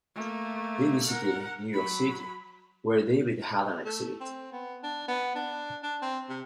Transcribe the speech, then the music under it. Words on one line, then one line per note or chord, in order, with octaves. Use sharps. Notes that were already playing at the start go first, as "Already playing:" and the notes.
They visited New York City, where David had an exhibit.
A3 A#3
A#4 F#5
F#3 B5
A3
C4
B3
D4
B3
D4
D4
C4
C3